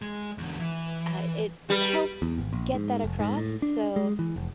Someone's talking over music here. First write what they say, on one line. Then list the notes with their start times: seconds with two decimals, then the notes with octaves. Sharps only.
uh, it helped get that across, s so
0.02 G#3
0.38 E2 D3
0.60 E3
1.70 G3 B4
2.22 E2
2.38 G#1
2.53 A#1
2.74 G#2
3.04 F1
3.20 G#2
3.37 A2
3.62 D4
3.96 G#3
4.19 E3
4.36 F1